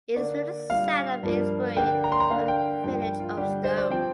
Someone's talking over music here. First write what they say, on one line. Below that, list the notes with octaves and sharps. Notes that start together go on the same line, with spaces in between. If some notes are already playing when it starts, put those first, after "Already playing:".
It is to the south of Aylesbury, by the village of Stone.
D3 A#3 D4 D5
A#2 G3 D4 F5
G2 F3 A#3 D4
D3 A#3 D4 G5
A#5
C6
A#5
D3 A#3 D4 F5
G5
G2 F3 A#3 D4 G5
G5
F4
D3 G3 D4 G4
C5
D5
F3 C4 G5